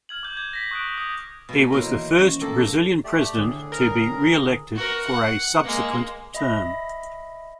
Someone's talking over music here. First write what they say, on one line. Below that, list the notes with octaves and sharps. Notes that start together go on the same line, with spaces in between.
He was the first Brazilian president to be reelected for a subsequent term.
F6 G#6 F#7
D6 G6
G#6
A#6 B6
C#6 D#6 F#6 A#6 D7
D#6
B2 A#3 F5
E4 A#4 C5 C#5
D#3 E3 D#5
C#4
A#3 A4 G5 D6
A3 G4 D5
A2 D3 G#4
A#4
F#4 A#4
F#5
G#3 A#3
D#5 E5 B5 A#6